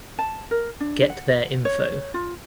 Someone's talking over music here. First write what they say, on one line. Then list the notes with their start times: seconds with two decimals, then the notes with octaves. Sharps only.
Get their info.
0.19 A5
0.51 A#4
0.80 D4
1.10 F#5
1.65 C#5
2.14 F4